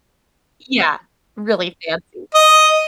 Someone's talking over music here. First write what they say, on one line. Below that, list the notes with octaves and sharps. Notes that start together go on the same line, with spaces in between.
Yeah. Really fancy.
D#5